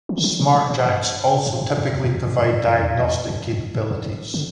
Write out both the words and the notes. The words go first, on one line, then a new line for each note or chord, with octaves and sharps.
Smartjacks also typically provide diagnostic capabilities.
E3
D3
E3
D3
B2
A2
G2
G2
G2
F#2
E2
F#2
E2
F#2
F#2
F#2
F#2
E2
E2
F#2
F#2
G2
F#2
G2
D3